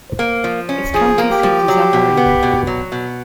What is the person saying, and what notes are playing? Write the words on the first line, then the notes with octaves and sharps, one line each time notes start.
Its county seat is Amarillo.
A#3
F3
C#4
F3 G#4
A#3
G4
F3
F#3
B2
B3
B2
F#3
B2